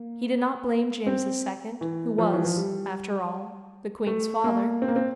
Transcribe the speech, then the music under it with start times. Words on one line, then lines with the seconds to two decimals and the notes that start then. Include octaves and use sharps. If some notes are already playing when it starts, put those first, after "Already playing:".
He did not blame James II., who was, after all, the queen's father.
Already playing: A#3
1.06 C4
1.81 E3
2.18 F3
2.33 E3
2.45 F3
2.56 G3
4.07 A3
4.44 A#3
4.82 C4
4.88 A#3
4.96 C4